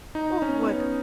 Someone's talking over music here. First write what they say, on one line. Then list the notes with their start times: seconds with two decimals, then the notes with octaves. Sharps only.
Oh, what
0.15 D#4
0.42 C#4
0.61 B3
0.69 C#4